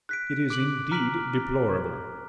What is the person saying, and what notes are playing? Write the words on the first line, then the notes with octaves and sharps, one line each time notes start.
It is indeed deplorable.
F#6 B6 D7
D6 F#6 D7 F#7
A#5 F6 B6 D7 F#7